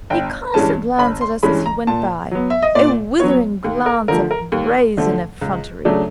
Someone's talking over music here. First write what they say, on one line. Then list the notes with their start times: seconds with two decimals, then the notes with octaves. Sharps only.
He cast a glance at us as he went by, a withering glance of brazen effrontery.
0.10 G1 G5
0.54 G2 E3 G#3 C#4 A5
0.98 G1 B5
1.21 C6
1.43 G2 E3 G#3 C#4 B5
1.66 A#5
1.87 A#2 A5
2.31 F#3 B3
2.50 E5
2.62 D#5
2.75 A#2 D5
3.19 F#3 B3 C#5
3.64 D#2
3.86 A#4
4.08 D3 F3 A3 A#4
4.31 A#4
4.52 D#2
4.97 D3 F3 A3
5.41 C#2
5.85 C#3 F#3 A3 D4